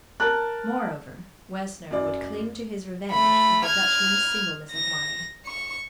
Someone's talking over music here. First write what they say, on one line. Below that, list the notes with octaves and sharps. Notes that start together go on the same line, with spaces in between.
Moreover, Wessner would cling to his revenge with a Dutchman's singleness of mind.
A#4 A5 F#6
F#2 D5
A3 B5
F6 G#6
A#6
C#6